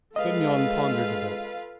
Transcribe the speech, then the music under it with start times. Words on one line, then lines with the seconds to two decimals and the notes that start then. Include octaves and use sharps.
Semyon pondered a bit.
0.16 G#3 F4 A4 B4 D#5 F5